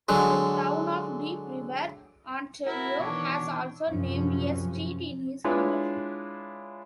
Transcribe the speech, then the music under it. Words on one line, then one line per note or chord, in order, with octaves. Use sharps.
The town of Deep River, Ontario has also named a street in his honour.
D3 F#3 G#3
E4 F#4 A#4
B2 D#3 E3 D4 C#5
F#2 C3 F3 C#4
G#3 D4 E4 F4 B4 C#5